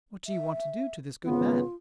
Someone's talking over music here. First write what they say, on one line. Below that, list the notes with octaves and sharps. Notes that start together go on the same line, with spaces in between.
What do you want to do to this good man?
E5
G#1 C#3 B3 F4